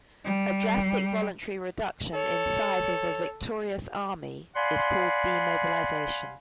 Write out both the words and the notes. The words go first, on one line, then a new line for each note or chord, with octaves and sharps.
A drastic voluntary reduction in size of a victorious army is called demobilization.
G3
A4 C#5
D5 F5 F#5 G#5 B5 C6